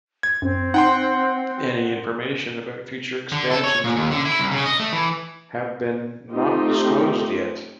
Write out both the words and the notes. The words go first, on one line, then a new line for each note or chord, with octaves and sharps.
Any information about future expansions and features have been not disclosed yet.
G#6
F#2 C4
D#4 F#5 G5 C6
D3
A4
C#5
A#2
D#2
D3
E4
C2
C#3
D#5
A3
E3
A3 C4 D#4 F4 G4